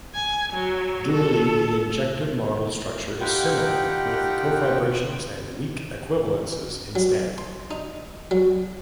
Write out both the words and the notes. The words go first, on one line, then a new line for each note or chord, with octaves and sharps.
Dually, the injective model structure is similar with cofibrations and weak equivalences instead.
G#5
F#3
A4
D#4 F4 G4 F#5 G5 B5
F#3
C6
D#4
F#3